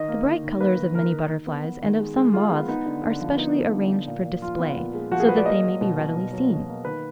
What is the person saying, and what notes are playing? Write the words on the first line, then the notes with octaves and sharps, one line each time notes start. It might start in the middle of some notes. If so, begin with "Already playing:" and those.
The bright colours of many butterflies and of some moths are specially arranged for display, so that they may be readily seen.
Already playing: D#3 D#5
A#3
D#3
D#3
A#3 B4
D#3
D#3 A#4
D#3
D#3
B3
B3
D#3
G#3
G#3
G#3 F4
B3
B3 D#4
D3
D3
F3
B3 D#4
B3
D3
D3
A#2
A#2
F3 F4
B3
A#2
G#3
F3 F#4
G#4
G#3 B4
D5
A#3 D#5
F#3
B2
B2
B2
F#3
B2
A#3
D#3 B4